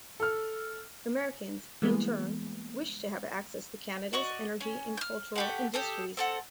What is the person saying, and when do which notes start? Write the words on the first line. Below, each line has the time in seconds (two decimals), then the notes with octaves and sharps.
Americans, in turn, wished to have access to Canada's energy and cultural industries.
0.20 A4 F6
1.82 E3 G3 G#3 A#3 B3
4.13 F#4 D5 D#5 C#6
4.61 C#4
4.97 F6 G6
5.36 A3 G4 F#5
5.74 G4 A4 D#6
6.17 C4 A4 F#5